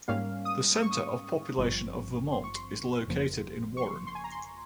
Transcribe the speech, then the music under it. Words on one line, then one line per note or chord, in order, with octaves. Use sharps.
The center of population of Vermont is located in Warren.
G#2 G3 A#3 C#4 F5
D#6
C#6
D#6
C#6
G#1 G2 F3 C4
C6
C#6
C6
G1 F2 C#3 F3 A#3
C#6
C6
C6
G#5
A#5
C6